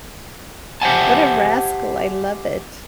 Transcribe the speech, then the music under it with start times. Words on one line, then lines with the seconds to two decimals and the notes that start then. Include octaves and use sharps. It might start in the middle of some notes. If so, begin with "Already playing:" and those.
What a rascal. I love it.
0.82 G4 C5 E5 F#5 G#5 A5